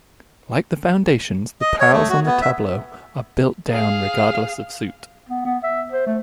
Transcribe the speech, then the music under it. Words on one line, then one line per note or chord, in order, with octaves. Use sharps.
Like the foundations, the piles on the tableau are built down regardless of suit.
D#5
C#5
A3
F#4
B3
E5
G#4 F5
B3
B3
E5
C5
A3